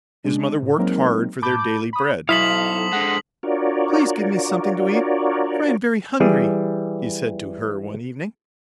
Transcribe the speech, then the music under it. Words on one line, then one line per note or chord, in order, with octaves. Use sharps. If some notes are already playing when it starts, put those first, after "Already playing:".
His mother worked hard for their daily bread. "Please give me something to eat, for I am very hungry," he said to her one evening.
C#3 G#3 D4
A2
F#3 G#3 A#3 C4 D#4 A#4
A2 A5 B5 D6 G6
B5 D#6
B1 E4 A4 C5 F5 D#6 B6 F#7
D3 G#3 F#5
D4 F4 F#4 A#4 C#5 D5
E3 G3 G#4